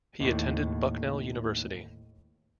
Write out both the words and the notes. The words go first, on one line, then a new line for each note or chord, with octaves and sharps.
He attended Bucknell University.
D#2 A2